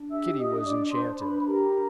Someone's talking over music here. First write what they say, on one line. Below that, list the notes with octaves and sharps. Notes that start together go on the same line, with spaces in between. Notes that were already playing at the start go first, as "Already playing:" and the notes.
Kitty was enchanted.
Already playing: D4
G4 E5 E6
D4 D#5 D#6
D4 D5 D6
D4 C5 C6
D4 B4 B5
B5
G4 A#4 A#5
D4